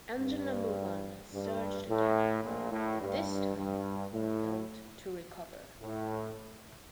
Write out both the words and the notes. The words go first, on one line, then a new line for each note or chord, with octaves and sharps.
Engine number one surged again, but this time failed to recover.
G2
G2
A2
A#1 A#2
A2
G2
G2
A2
A2